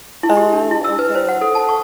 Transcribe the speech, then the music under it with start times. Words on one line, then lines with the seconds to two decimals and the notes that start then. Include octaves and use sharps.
Oh, okay.
0.23 E4
0.37 G4
0.53 D4
0.71 E4
0.84 E6
0.99 B4
1.15 C5
1.29 F#5
1.41 A4
1.55 A5
1.69 C#6